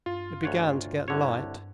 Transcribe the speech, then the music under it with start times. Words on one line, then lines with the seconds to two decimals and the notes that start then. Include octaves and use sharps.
It began to get light.
0.06 G2 F4
0.43 D2 C#5 F#5
1.08 C2 D3 C#5